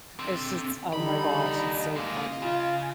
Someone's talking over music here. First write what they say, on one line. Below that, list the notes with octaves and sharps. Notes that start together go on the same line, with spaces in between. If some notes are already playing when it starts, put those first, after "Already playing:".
it's just oh my gosh, it's so funny.
D3 C4
D#2 D3 G3 D#4 B5
G#3 A#3 D#5 F5
C#3 F4